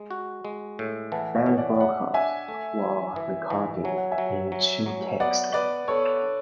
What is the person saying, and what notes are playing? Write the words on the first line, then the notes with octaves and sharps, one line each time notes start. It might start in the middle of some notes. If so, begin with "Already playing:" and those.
Plant's vocals were recorded in two takes.
Already playing: G#3
F#4
G#3
A2
E3 F#5 A5
C#5 E5
E3
D5 F#5
G#3 D5 F#5
D4 E5 G#5
A3
E3
E3
E3
F#3 G#5
F#5
E5 G#5
F#3
F#3
F#3
B3 D5 F#5
B3 B4 D5
B3 A4 C#5
D4